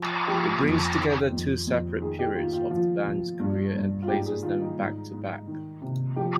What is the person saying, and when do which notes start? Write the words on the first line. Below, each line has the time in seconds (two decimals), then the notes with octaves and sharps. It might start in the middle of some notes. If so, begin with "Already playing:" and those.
It brings together two separate periods of the band's career and places them back-to-back.
Already playing: F3
0.28 F3 G4
0.63 F2
0.98 D#3
1.32 F2
1.67 F2
2.01 D#3 G#4
2.19 G4
2.35 D#3 F4
2.53 F4
2.70 F3 F4
3.05 F3
3.40 G2
3.75 G2
4.02 F4
4.08 G#2 G4
4.26 G#4
4.43 D#3 F4
4.61 D#4
4.78 G#2
5.13 G#2
5.47 D#3
5.81 C3
6.16 F3 G4